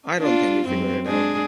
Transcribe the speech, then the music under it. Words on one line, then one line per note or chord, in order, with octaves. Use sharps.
I don't think we figured it out.
D4 F4
F#2 C4
G#3 D4 G#4